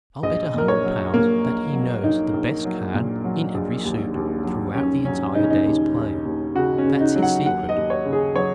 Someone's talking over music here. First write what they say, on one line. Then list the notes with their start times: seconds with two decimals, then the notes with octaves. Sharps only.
I'll bet a hundred pounds that he knows the best card in every suit throughout the entire day's play. That's his secret.
0.23 A#1 D#5
0.54 A#2 A#4
0.68 C#5
0.84 F#3
1.13 A#1 A#3
1.44 A#1
1.74 F#3
2.03 A#1 D#4
2.33 A#1
2.65 F#3
2.94 A#2
3.24 F#3
3.54 A#1
3.85 D#2
4.15 D#2
4.44 F#3
4.74 D#2 C#4
5.05 F#3 C#4
5.35 C#3 D#4
5.43 C#4
5.50 D#4
5.66 D#2
5.95 D#2
6.25 D#2
6.55 C#3 F#4
6.78 C#4
6.86 C#3
7.00 D#4
7.16 F#3
7.23 F#5
7.46 D#2 F#5
7.69 D#5
7.76 D#2
7.90 C#5
8.05 C#3
8.13 G#4
8.36 F#3 C#5